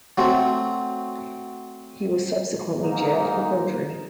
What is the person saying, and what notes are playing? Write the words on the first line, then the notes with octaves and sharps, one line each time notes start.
He was subsequently jailed for perjury.
F#3 A3 C4
G#2 A#3 D#4